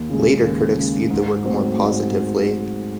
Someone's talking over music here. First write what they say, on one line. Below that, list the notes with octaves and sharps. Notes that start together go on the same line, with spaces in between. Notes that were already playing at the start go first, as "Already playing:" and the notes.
Later critics viewed the work more positively.
Already playing: D#2
C#3 G#3
D#2
C#3 G#3
G#2
F#3 A3 C4 F#4
G#2